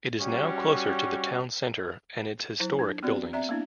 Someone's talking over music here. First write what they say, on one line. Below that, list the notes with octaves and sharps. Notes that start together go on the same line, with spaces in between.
It is now closer to the town centre and its historic buildings.
G3 C#4 F#4
F#3 E4 C5
D4
B3 C4 F#4 D5
C4 D5 E5 A#5
A#3 B3 D4 E4